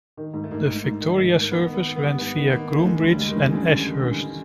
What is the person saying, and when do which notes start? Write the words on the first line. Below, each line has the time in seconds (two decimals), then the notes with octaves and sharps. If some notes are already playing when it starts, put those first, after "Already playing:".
The Victoria services ran via Groombridge and Ashurst.
0.17 D#3
0.34 G#2
0.44 A3
0.51 G#2 A#3
0.67 G#2
0.85 G#2
1.01 D#3
1.17 G#2
1.35 G#2
1.40 A#3
1.51 D#3 B3
1.69 D#3 B3
1.86 D#3
1.96 B3
2.02 G3
2.18 G#2 B3
2.36 D#3
2.52 D#3 A#3
2.69 D#3
2.79 A3
2.85 E3 G#3
2.96 G#3
3.02 D2
3.08 G3
3.19 G#3
3.30 D#3
3.36 E3
3.48 C#3
3.53 D3 E3
3.69 D2
3.86 G#3
4.03 E3
4.19 E3